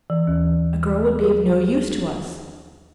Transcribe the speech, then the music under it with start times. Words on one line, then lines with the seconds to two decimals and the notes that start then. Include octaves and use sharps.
A girl would be of no use to us.
0.10 E3
0.27 D#2
1.20 G#4